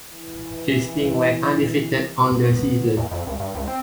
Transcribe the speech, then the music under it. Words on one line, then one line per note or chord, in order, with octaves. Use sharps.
His team went undefeated on the season.
E3
B3
E2
F2
C#2
G2
C#2
C4